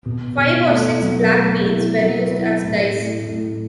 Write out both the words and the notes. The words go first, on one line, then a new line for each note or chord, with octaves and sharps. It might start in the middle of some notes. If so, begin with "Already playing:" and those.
Five or six black beans were used as dice.
B2
B2
A3
F#3
A3
E4
F#3
E4
A2
A2
A2